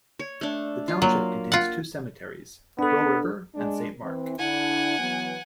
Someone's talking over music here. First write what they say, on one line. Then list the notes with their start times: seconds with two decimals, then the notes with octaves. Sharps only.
The township contains two cemeteries: Crow River and Saint Mark.
0.19 C#5
0.41 A3 D4
0.88 F4
1.02 F#3 A#3
1.52 F4 F#5
2.79 B3 D4 A4
3.54 G#3 D4
4.02 E3 C4
4.38 D3 D4 E4 F#5 G#5
4.98 E3 F#3 B3